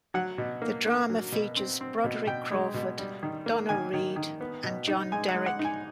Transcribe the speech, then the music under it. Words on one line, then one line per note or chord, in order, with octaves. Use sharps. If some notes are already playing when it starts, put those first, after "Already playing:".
The drama features Broderick Crawford, Donna Reed and John Derek.
F#3 F#5
B2
A#3
A#3
F#3
B2
C4
C4
B2
B2 G5
G#3
B2
G3
D#3
A#3
D#3 G#5
D#3
D#3
B3
B2
D#4
G#3 G#5
F#5
G#3
F#5
D#4
G#5